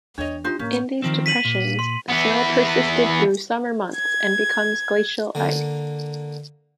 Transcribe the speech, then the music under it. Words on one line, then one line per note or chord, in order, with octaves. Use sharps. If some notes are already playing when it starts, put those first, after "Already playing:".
In these depressions, snow persisted through summer months, and becomes glacial ice.
E2 D4 C#5 D#5 F7
D4 D#4 F4 G4 C5
A1 A#3 C#4 G6
D#3 F3 C4
B6 D#7 F#7
A#2
C6
E3 B3
G#6
D3 A#3